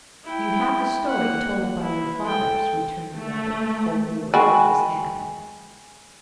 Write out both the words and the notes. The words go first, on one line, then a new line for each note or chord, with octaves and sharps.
"You have the story told by your fathers," returned the other, coldly waving his hand.
E4 G5
A#3 F#5
E4
A4 G5
A3
G#3 F#4 G5 G#5 B5